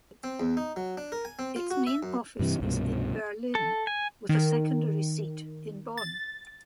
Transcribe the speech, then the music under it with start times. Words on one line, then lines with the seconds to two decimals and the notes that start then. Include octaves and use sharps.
Its main office is in Berlin, with a secondary seat in Bonn.
0.24 C4
0.40 E2
0.57 D#4
0.76 F#3
0.97 D4
1.12 A#4
1.25 G#5
1.39 C4
1.56 F4
1.71 F#4
1.87 E5
2.03 F#2
2.39 G2 C3 E3
2.60 C2 G2 B2
3.55 A4
3.87 G#5
4.29 D#3
5.97 A6